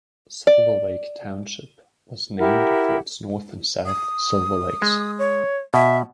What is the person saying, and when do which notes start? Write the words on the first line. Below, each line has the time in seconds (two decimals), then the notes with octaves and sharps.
Silver Lake Township was named for its north and south Silver lakes.
0.47 D5
2.38 E4 G4 A#4 F#5
3.86 D#6
4.82 G#3
5.19 C#5
5.74 B2 E5